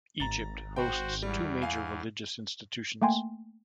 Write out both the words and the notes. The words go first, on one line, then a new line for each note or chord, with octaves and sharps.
Egypt hosts two major religious institutions.
G#1 A#5 A6
F#4 C5 G5
E2 G3
F5 G#5
A3 A#3 G5 G#5 C6